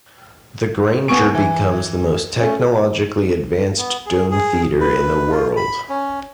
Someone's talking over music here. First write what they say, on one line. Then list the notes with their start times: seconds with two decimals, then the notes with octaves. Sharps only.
The Grainger becomes the most technologically advanced dome theater in the world.
1.08 D#2 B3 G#5 C#6 D7
1.35 E3
2.40 A3 C#4
3.78 B3
4.06 G#4
4.31 G#4
4.81 B4
5.32 F4
5.57 B5
5.89 C#4